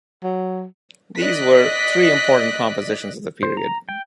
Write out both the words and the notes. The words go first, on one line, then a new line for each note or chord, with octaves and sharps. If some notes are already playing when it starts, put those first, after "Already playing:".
These were three important compositions of the period.
F#3
D5 D#5 F#6 B6
C5
A#5
G5